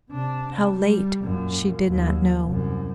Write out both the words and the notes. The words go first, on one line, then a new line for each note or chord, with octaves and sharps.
How late she did not know.
C3 D4
G3
F#2 A#2
D#2 F#3
C2 F#2